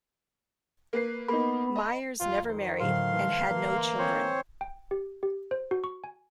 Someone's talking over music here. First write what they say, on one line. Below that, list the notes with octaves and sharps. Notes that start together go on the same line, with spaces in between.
Myers never married, and had no children.
A#3 B4 C7
A#3 B3 D#4 B5
D#5
F2 F4 G5
D#3 C5
A2 D3 F#3 F5 C6
E3 G#3 A3
E3 A#3
C4 C5 C#5 D#5 G#5
G5
G4
G4
C5
F#4
C#6
G#5